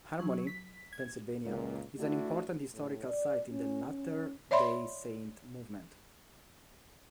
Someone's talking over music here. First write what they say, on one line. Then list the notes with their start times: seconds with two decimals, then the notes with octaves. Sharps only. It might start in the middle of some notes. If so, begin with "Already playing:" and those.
Harmony, Pennsylvania, is an important historical site in the Latter Day Saint movement.
0.19 F#3
0.47 B6
0.93 G#6
1.45 C#2 F#2 A#2
1.98 A3 D4 E4 F#4
2.73 A2
3.07 D5
3.51 C#4
3.85 C#4
4.51 C#5 D5 E5 B5 C6